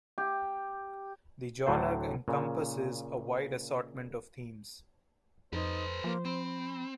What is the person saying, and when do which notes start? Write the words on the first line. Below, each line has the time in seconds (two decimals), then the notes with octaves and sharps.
The genre encompasses a wide assortment of themes.
0.18 G4
1.67 D2 A2 F#3 D4 A4 C5
2.28 A#2 C#3
5.53 F2 D#4 A4 B4 C5
6.04 F3 A#3
6.25 C4 B5